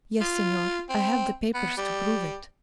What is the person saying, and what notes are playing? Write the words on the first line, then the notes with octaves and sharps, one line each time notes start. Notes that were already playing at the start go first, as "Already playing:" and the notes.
"Yes, Senor; I have the papers to prove it."
F4
C4
B3
G3